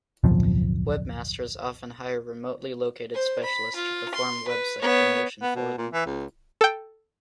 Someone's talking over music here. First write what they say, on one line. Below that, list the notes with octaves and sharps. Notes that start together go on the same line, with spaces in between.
Webmasters often hire remotely located specialists to perform website promotion for them.
D1 B1 F2 F3
C5
B5
F4
C6
B4
B3 C#5
B3
B2
A#2
E3
C#2
A4 G5